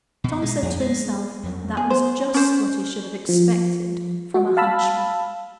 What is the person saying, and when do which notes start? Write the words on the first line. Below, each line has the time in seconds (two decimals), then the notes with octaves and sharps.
But Tom said to himself, that was just what he should have expected from a hunchback.
0.24 B2
0.42 G#3
0.62 F2
0.80 G#3
1.43 F2 F#3
1.77 B3 G#4
1.90 C5
2.34 C#4 C5
3.29 F3
4.34 F#4
4.57 F5 A5 B5 E6